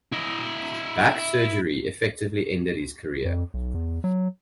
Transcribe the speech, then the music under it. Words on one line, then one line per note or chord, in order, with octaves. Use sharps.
Back surgery effectively ended his career.
E4 D#5
F2
B1
E2
F#3